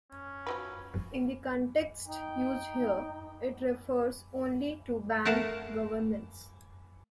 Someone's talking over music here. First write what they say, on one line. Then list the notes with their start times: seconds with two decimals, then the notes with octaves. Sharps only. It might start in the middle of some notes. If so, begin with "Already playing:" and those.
In the context used here, it refers only to band governments.
0.11 C#4
0.47 F3 F#3 B4
2.06 D#4 G5
5.25 A3 A#4 F5 F#5 A5